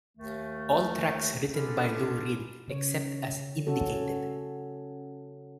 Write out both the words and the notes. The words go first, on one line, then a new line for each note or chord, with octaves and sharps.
All tracks written by Lou Reed except as indicated.
D#2 D#3 A3
G#3 B3 C#4 D4 G4 A4
C#3 C#5
C#4 F#4 A4